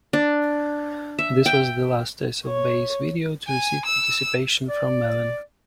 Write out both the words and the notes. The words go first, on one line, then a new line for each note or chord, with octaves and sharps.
This was the last Ace of Base video to receive participation from Malin.
D4
E5
G5
C#5
G#5
E6
D5